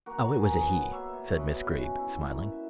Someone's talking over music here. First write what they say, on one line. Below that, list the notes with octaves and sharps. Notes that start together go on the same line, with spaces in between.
"Oh, it was a 'he,'" said Miss Greeb, smiling.
A#3 F#4 A#4
B2 F#4
G#4
A#4
F#3 G#4 B4
B2
A#3 C#5 E5
B2
F#3 B4 D#5
B2
C#4
E4
A#3
B2
E5